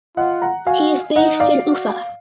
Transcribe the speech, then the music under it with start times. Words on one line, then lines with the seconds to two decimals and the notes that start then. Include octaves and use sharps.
He is based in Ufa.
0.17 F4 D#5 F#5
0.42 F#5 A#5
0.66 F#4 F5 G#5
1.16 D#4 D#5 F#5
1.40 D5 F5
1.64 F#4